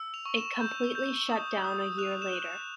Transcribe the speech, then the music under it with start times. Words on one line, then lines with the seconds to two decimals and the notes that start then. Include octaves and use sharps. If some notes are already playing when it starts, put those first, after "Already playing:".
It completely shut down a year later.
Already playing: E6
0.14 F7
0.25 C#6
0.37 E7
0.61 G6
0.95 G6
1.29 D#6
1.64 D#6
1.98 F#6 F7
2.22 E7
2.33 F#6